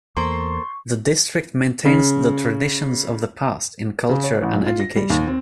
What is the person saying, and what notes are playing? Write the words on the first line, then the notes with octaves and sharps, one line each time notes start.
The district maintains the traditions of the past in culture and education.
E2 A#3 A4 C5 C6 C#6
C#3
C#3
C#5
A1
B1
F4
A#6
G3
D#2
C4